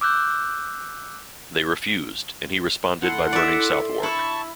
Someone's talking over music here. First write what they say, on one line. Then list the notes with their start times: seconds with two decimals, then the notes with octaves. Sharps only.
They refused, and he responded by burning Southwark.
0.01 D6 E6 F#6 G6
3.02 E4 A4 F#5 C6
3.33 D5 E5
4.03 E4 A5 C#6